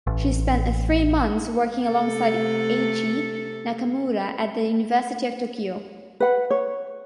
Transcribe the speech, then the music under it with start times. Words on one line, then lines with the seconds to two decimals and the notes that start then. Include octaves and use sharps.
She spent three months working alongside Eiichi Nakamura at the University of Tokyo.
0.07 A1
1.87 C3 A3 A4
6.20 B4 F#5
6.51 C#5